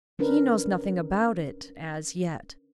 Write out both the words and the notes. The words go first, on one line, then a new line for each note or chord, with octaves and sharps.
"He knows nothing about it,--as yet."
C#4 D4 A#4 B4